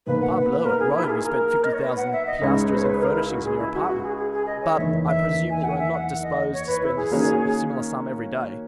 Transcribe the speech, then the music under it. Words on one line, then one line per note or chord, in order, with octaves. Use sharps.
"Parbleu, at Rome you spent fifty thousand piastres in furnishing your apartments, but I presume that you are not disposed to spend a similar sum every day."
B1 B2 A#3 B4
F#5
B4
B4
A#4
G#4
E4
A#4
G#4
A#4
D#5
C#5
B4
F#5
E5
D#5
C#2 C#3 G#3 D#4 C#5
B4
C#5
B4
A#4
E4
F#4
G#4
E4
F#4
F#4
G#4
G#4
G#4
D#5
C#5
F#1 E2 D#3 E5
E5
G#5
F#5
E5
F#5
D#5
C#5
B4
E4
G#4
D#3 A#3 C#4 F#4 C#5